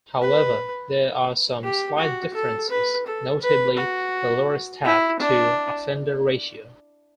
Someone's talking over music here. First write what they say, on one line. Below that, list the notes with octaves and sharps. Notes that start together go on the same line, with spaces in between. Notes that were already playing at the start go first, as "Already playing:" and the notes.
However, there are some slight differences, notably the lower staff to offender ratio.
B4
G4
F#4
A4
B4
A4
B4
F#4
E4
D4